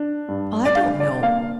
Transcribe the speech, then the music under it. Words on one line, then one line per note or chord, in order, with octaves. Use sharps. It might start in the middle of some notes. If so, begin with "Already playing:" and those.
I don't know.
Already playing: D4
G2
D5
D4 F5
D5
A#3 F5